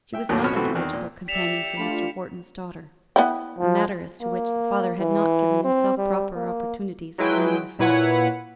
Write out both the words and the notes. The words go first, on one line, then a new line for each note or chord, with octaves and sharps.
She was not an eligible companion for Mr. Wharton's daughter,--a matter as to which the father had not given himself proper opportunities of learning the facts.
E5 G5
D#2 A2 F#3 A3 A#3 D4
B2 B3 C#4 F#4 C#5 F6
C3 E3 A3 B3 C4 F#4
E2 D#3
A#2
G4 D5 E5 B6 C#7 E7 F7
A3 D4 F4 D5 B5
B3 E4 G5
F3
A#3
E3
C4
G3
A#3
F#3 G#3 E4 B4 G5
A#2 E4 B4 C#5 F#5